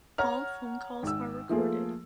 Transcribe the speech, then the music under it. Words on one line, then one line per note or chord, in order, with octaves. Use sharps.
All phone calls are recorded.
C#5 F#5 A#5 F6
G#1 E6
F3 A3 A#3 F4 G#4 A4